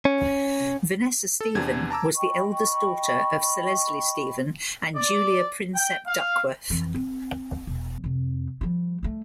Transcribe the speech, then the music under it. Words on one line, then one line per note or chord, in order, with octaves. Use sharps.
Vanessa Stephen was the eldest daughter of Sir Leslie Stephen and Julia Prinsep Duckworth.
C#4
A4
E2 C3 D4 G#6
A5 A#5 D6 E6
D#5 G5 B5 C#6
D5
G5
F5
F2 E3
C4
E1
F2 C3
F3 G3
G3 A3